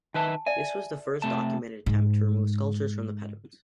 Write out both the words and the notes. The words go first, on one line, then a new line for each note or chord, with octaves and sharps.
This was the first documented attempt to remove sculptures from the pediments.
D#3 B4 E5 G#5 A5
D5 E5 G#5
C3 A3 A5
G#2 G#3